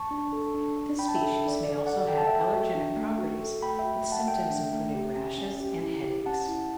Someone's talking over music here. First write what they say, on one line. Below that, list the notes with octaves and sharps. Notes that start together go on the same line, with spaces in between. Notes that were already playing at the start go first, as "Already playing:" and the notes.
This species may also have allergenic properties with symptoms including rashes and headaches.
Already playing: A5 C#6
D4
A4
D4
D4
D4 G5 B5
A5
E5 G5
A4
D4
D5
A4 D5
A4 D5 F#5
A4 G5
A5
A4 E5 G5
F#4
D4
A3
F#4
A4
A3 G5 B5
E5 G5
F#4
A3
F#5 A5
A3 E5 G5
D4
A3
G4
C#4
C#4
G4
E4
G4
C#4 F#5 A5
E4